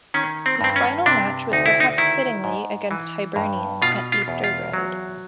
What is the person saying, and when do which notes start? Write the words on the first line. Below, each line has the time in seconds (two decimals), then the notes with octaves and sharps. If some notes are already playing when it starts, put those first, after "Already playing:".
His final match was perhaps fittingly against Hibernian at Easter Road.
0.14 D#3 C#4
0.46 C4
0.61 G2 C4
0.76 C#4
1.06 C3 D4
1.52 D2 D#4
1.66 E4
1.80 D#4
1.98 D#3 E4
2.44 G#2
2.91 E3
3.36 G2
3.82 B2 F4
4.12 F4
4.28 E2
4.44 F4
4.73 F#3